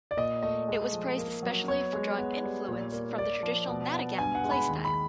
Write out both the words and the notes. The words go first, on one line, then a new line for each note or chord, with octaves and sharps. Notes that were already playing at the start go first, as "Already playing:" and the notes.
It was praised especially for drawing influence from the traditional "nadagam" play style.
D5
A#2 D#5
A3 D#5
G#3
F3
A#3
F#3
B3 C#5
G#3
B3
G3
A#2
A#3
A#3 D5
F3
B2
B3
G2 G#5
F#5
G#3
B5
D#2
B5